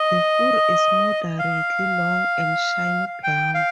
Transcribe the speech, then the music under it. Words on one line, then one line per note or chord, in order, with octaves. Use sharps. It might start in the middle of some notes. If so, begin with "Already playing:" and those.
The fur is moderately long and shiny brown.
Already playing: D#5
F5
G5
F5